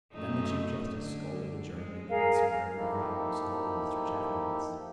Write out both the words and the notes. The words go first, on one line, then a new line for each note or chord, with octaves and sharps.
Then the Chief Justice scolded the juryman, and Sir Gregory Grogram scolded Mr. Chaffanbrass.
F#2 A3 D#4
D3
G#3
G#4 A#4 F5
F3 A#3 D#4 E4 G4 A4